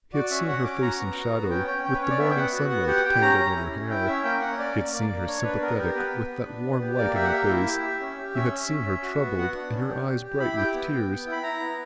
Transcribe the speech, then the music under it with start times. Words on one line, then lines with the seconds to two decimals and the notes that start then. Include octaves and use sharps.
He had seen her face in shadow, with the morning sunlight tangled in her hair, he had seen her sympathetic with that warm light in her face, he had seen her troubled and her eyes bright with tears.
0.13 F#4 D5
0.30 C#4 E5
0.47 C#4 F#5
0.65 C#4 D6
0.82 F#4 A#5
0.99 B3
1.16 F#4
1.34 B3
1.50 C#4 G5
1.67 C#4 G5
1.85 C#4 G5
1.94 B4
2.02 C#4 C#5
2.10 D5
2.19 B3 E5
2.31 G5
2.36 B3 F#5
2.53 F#4
2.70 B3 F#5
2.87 G4 F#5
3.05 G4 G5
3.21 C#4 A#5
3.39 C#4
3.56 E4
3.73 C#4
3.90 E4 G5
4.07 C#4 E5
4.24 A#3 G5
4.41 C#4 F#5
4.58 A#3 D5
4.76 A#3
4.92 A#3 D5
5.09 A#3
5.26 D4 C#5
5.43 D4 B4
5.61 B3 A#4
5.78 G4 A#4
5.95 B3 B4
6.13 B3
6.29 B3
6.46 D4
6.63 B3
6.81 G4
6.97 A#3 D5
7.15 G4 E5
7.24 F#5
7.32 A#3 E5
7.49 E4
7.67 G4
7.83 G4
8.01 C#4
8.18 G4
8.35 C#4 E5
8.51 C#4
8.69 C#4
8.86 C#4
9.03 F#4
9.21 B3
9.37 B3 F#5
9.54 D4
9.72 C#4
9.89 G4
10.06 G4
10.23 G4
10.40 E4 B5
10.57 G4 G5
10.74 B3
10.92 B3
11.08 B3
11.26 E4
11.32 B5
11.43 E4 A#5
11.60 B3